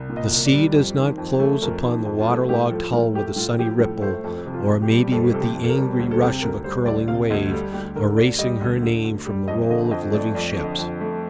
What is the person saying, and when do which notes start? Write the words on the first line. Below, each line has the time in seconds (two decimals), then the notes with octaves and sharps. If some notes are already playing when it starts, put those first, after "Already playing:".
The sea does not close upon the water-logged hull with a sunny ripple, or maybe with the angry rush of a curling wave, erasing her name from the roll of living ships.
Already playing: C2
0.10 A#2
0.17 D#5
0.31 C2
0.46 D5
0.52 G3
0.74 F2
0.96 D#3
1.18 F2
1.39 A3
1.62 F2 A#4
1.84 D#3
2.05 F2
2.20 F4
2.28 A3
2.49 A2 G4
2.71 F3 A4
2.92 A2 A#4
3.14 A3 G4
3.36 A2 F4
3.59 F3 G4
3.80 A2 A4
4.02 A3 C5
4.24 F2 A4
4.46 C3
4.54 F4
4.67 F2
4.82 G4
4.90 G3
5.12 F2 A4
5.34 C3 A4
5.40 G4
5.55 F2
5.64 A4
5.69 A#4
5.77 G3
5.99 D2
6.11 A4
6.21 C3 G4
6.42 D2 A#4
6.64 G3 C5
6.85 D2 D5
7.08 C3 F5
7.30 D2 D#5
7.51 G3 A4
7.73 D2 G4
7.95 D3 A#4
8.17 D2 D5
8.38 G3 D#5
8.61 D2
8.82 D3
9.04 D2
9.26 G3
9.48 F2 D#5
9.70 D3 D#5
9.91 F2 D#5
10.13 A3 D5
10.35 F2 D5
10.57 D3
10.64 D#5
10.79 F2
11.01 A3